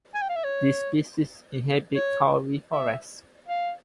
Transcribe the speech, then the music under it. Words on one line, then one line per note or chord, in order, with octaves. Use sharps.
This species inhabits kauri forests.
G#5
G5
F5
E5
C#5
C#5
E5
F5